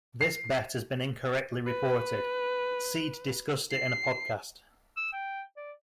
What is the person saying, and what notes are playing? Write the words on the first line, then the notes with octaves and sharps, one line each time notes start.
This bet has been incorrectly reported; Seed discussed it in a podcast.
C7
B4
C7
E6
G5
D5